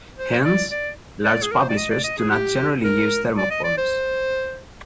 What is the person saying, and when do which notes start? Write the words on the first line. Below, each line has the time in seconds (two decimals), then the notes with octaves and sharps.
Hence large publishers do not generally use thermoforms.
0.18 C5
0.45 D5
0.71 D5
1.24 D5
1.42 G#4
1.52 A#4
1.60 C5
1.69 D5
1.77 D#5
1.91 D5
2.04 D#5
2.18 G#4
2.31 G4
2.84 A#4
3.38 D5
3.51 D#5
3.64 D5
3.77 C5